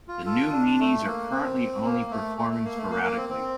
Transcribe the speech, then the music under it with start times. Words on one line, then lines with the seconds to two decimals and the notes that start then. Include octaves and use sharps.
The New Meanies are currently only performing sporadically.
0.08 F4
0.26 F4 A4
0.52 D4
0.79 A3
1.06 A#3
1.32 C4
1.84 A#3
2.11 A3
2.38 A3
2.51 A3
2.64 A#3
2.77 A3
2.90 A#3
3.03 A#3
3.16 C4
3.29 C4